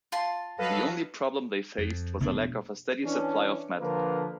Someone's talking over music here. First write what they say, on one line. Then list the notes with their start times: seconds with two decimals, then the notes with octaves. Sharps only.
The only problem they faced was a lack of a steady supply of metal.
0.12 F4 A5 C6
0.58 F#3 A4 B4 D#5 F5
1.78 F2
2.20 F1 B2 A3 D4
3.03 E3 C#4 D4
3.79 D3 F3 A#3 A#4 B4